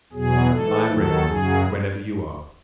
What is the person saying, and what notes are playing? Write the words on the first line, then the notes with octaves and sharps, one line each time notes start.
"I am ready, whenever you are."
E2 B2 F#3 G#4
G#2 E3 A4
D#2 D#3 F#3 A4
F#2 C#3 F#3 G#4